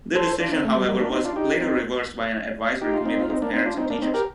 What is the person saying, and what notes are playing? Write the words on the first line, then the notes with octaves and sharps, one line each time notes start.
The decision, however, was later reversed by an advisory committee of parents and teachers.
A4 C5
D4 F4
C4 D#4
A3
G3
G3 A#3
A#3 D4
C4 D#4
D4 F4
D#4 G4
C4 D#4
D#4 G4
F4
C4 D#4
F4
C4 D#4
A#3 D4
C4 D#4
D4 F4
C4 D#4
A#3 D4
C4 D#4
G4 A#4